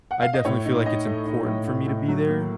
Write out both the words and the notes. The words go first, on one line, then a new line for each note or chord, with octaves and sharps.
I definitely feel like it's important for me to be there.
F#5
F5
D#5
A2 C#5
D#4
D#4 D#5
A3
D#4
A2
A2
A2
F#3
A#3